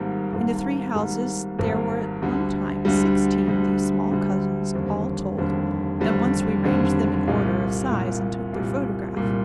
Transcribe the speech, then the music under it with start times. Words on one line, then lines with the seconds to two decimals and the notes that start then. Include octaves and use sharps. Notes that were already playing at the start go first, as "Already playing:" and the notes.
In the three houses there were at one time sixteen of these small cousins, all told, and once we ranged them in order of size and took their photograph.
Already playing: G#1 G#2 G3 A#3
0.32 G#1 G#2 G3 A#3
0.95 G#1 G#2 G3 A#3
1.59 G#1 G#2 G3 A#3
2.22 D2 D3 G3
2.85 D2 D3 G3
3.47 D2 D3 G3
4.11 D2 D3 G3
4.74 F1 D#2 D3 G3 C4
5.37 F1 D#2 D3 G3 C4
6.00 F1 D#2 D3 G3 C4
6.63 F1 D#2 D3 G3 C4
7.27 C2 A#2 G3
7.89 C2 A#2 G3
8.53 C2 A#2 G3
9.16 C2 A#2 G3